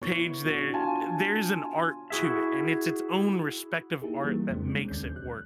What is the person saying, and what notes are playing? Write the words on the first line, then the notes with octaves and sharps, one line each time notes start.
page there. There's an art to it, and it's its own respective art that makes it work.
B3 E4 C#5
D4 F#4
F4 G#5 A5
E4 F#4 G#4 E5
A#3 D#4 E4 G4 G#4
E3 G3 A#3
F2 C#3 F#3 G#3 C4 D4
G#3 C4
D#2 D#3 C#4 G6
F#6